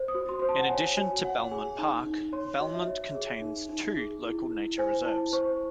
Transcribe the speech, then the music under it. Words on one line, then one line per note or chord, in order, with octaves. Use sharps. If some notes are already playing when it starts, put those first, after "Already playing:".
In addition to Belmont Park, Belmont contains two Local Nature Reserves.
Already playing: C5
D#6
F#4
C6
C5 C6
A5
F#5
C#5 G#5
F#4 G#5
C#5 F#5
G#4 G#5
D#4
D#4
C#5 C6
F#4 D#5
E5
C#5
G#4
D#4
D#4
G#4
E4
E4
C5 G#5
E4 A5
C5 C#6